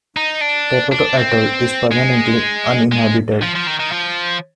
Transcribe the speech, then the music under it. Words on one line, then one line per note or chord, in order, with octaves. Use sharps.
Tepoto Atoll is permanently uninhabited.
D#4
D4
D4
C4
G#3
G#3
F3
F3
D#3
D#3
F3